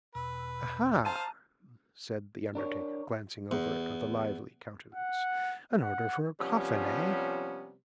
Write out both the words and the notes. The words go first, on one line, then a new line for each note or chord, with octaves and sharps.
'Aha!' said the undertaker, glancing over it with a lively countenance; 'an order for a coffin, eh?'
E2 B2 B4
C5 F5 A5 A#5 D#7
D4 A#4 C#5
E2
F#5
F#5
C3 F3 G3 B3 C#4